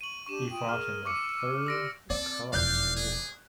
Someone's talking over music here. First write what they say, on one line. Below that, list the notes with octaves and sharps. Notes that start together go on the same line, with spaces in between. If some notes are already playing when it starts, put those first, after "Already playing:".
He fought in the Third Carlist War.
C#6 D#7 F#7
D4 G4 C#6 D#7 E7
F4 G5 D#6
G#4 A#4 F6
C#6 D6 E6 C#7
G4 D5 C6 E6 A#6 D7
C4 A4 D5
E1 F2 D5 F5 F#6 G6
G#4